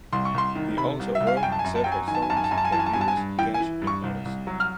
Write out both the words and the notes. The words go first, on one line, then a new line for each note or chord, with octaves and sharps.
He also wrote several songs for Lewis, Cash, and others.
C2 C6
C#6
C2 C6
D#3
C3 B5
C2
E5
C2
F5
G#5
F#2 G5
A5
G#5
F#2
A5
F#3 G5
G#5
D#3 G#5
A5
G#5
F#2 A5
G#5
A5
F#2 G#5
A5
G#5
E3 A5
G#5
A5
G2 G#5
A5
G#5
G2
E3 G5
G#5
E3
G2
C#6
C2
C2
F#3
F6